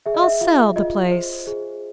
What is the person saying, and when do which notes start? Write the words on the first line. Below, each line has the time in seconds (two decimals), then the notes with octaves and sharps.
"I'll sell the place."
0.06 G#4 E5
0.14 D#5
0.23 E5
0.41 F4 F5
0.76 F4 D#5
1.11 C5
1.47 G#4